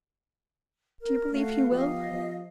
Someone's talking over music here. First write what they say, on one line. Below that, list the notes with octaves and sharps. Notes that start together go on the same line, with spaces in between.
"Do you believe he will?"
A#4
A3 F#4 F5
F3 B3 G4 D#5 F5
F3